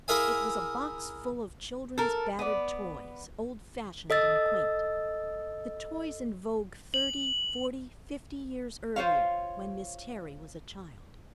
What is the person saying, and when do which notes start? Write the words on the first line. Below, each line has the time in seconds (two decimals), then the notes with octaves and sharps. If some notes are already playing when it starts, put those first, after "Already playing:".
It was a box full of children's battered toys, old-fashioned and quaint; the toys in vogue thirty--forty--fifty years earlier, when Miss Terry was a child.
0.08 E4 G#4 A#4 E5 F5 G#5
1.98 A4 A#4
2.39 B3 D5
4.10 A4 D#5 E6 A6
6.94 F#7
8.96 F4 C5 C#5 F5